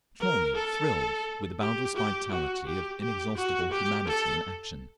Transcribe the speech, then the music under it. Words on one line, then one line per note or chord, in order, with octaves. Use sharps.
Smolny thrilled with the boundless vitality of inexhaustible humanity in action.
A#4
A4
G4
G4
F#4
G4
G4
F#4
G4
A4